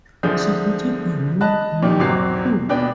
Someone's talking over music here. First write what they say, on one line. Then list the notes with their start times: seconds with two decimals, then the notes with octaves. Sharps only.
Submitted by "Moonbeam" crew.
0.23 C2 D3 F3 G#4 G6
1.41 D#5 A5 B5 F#6
1.83 A#2 D#3 G4
1.99 G#1 E2 B2 F#3 C4 C7
2.69 D#1 B2 D4 B4 G5